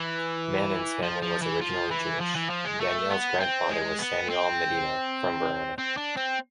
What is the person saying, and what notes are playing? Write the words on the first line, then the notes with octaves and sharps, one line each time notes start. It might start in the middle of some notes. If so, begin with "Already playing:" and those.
Manin's family was originally Jewish: Daniele's grandfather was Samuele Medina, from Verona.
Already playing: E3
F3
F3
E3
F3
E3
F3
E3
F3
G#3
A3
B3
C4
G#3
B3
C4
C4
D4
C4